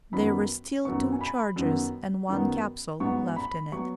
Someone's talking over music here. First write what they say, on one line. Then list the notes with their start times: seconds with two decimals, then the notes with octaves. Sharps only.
There were still two charges and one capsule left in it.
0.13 F#2 D#3 B3 B5
0.85 F#2 D#3 B3 C#6
1.12 G#5
1.21 B5
1.56 F#2 D#3 B3
2.29 F#2 D#3 B3
3.00 G#2 F#3 B3 C#6
3.36 B5
3.72 F#3 B3 C#6